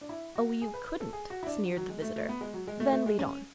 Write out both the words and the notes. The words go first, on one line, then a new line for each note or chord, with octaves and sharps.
"Oh, you couldn't," sneered the visitor; "then lead on!"
D4
E4
F#4
G#4
B4
B4
A4
G#4
F#4
E4
D4
F#3
F#3
G#3
A3
A3
B3
G#3
F#3
G#3
A3
A3
G#3
C#4